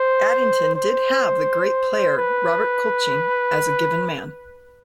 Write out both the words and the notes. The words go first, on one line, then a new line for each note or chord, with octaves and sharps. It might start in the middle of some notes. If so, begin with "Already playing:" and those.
Addington did have the great player Robert Colchin as a given man.
Already playing: C5
C5
B4